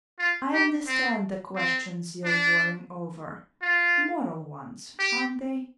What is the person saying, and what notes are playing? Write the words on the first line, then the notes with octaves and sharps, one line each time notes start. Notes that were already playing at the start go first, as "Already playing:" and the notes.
I understand the questions you are worrying over--moral ones, aren't they?
F4
G4
C4
C4
D4
F4
G4